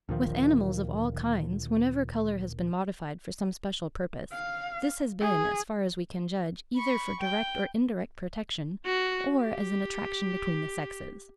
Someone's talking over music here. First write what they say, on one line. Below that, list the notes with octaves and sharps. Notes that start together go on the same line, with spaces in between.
With animals of all kinds, whenever colour has been modified for some special purpose, this has been, as far as we can judge, either for direct or indirect protection, or as an attraction between the sexes.
D2 A#2 D#3 F3
F5
G#4
B5 C#6
G5
F#4
G4